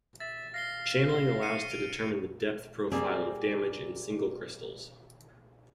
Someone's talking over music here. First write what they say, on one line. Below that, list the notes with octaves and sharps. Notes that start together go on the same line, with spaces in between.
Channeling allows to determine the depth profile of damage in single crystals.
E5 A6
F5 A#6 C7 G7
G7
C7 C#7 D#7
D7 F7
G3 A#3 C4 G#4